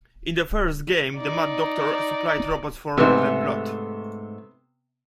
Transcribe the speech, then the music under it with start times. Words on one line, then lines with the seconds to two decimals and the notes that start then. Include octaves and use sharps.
In the first game, the Mad Doctor supplied robots for the Blot.
1.17 D#4 D5
2.97 G#2 C3 A3 B3